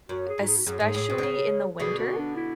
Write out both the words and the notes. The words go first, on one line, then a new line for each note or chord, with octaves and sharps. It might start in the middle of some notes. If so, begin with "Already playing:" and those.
especially in the winter,
F#2 F#4
G#4
G#2 F#4
G#4
F#4
F#2 G#4
G#2
A2
B2
D3
C#3
B2 D3 G#4
F#4
D4
E4